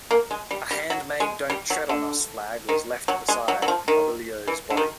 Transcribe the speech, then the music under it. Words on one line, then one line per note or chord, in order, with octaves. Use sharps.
A handmade "Don't Tread on Us" flag was left beside Mobilio's body.
A#3
G#3
G3
G3
F#3
G#3
G3
F#3
D3
D#3
F#3
G#3
F#3
F#3
F3
D#3
E3
D3
D#3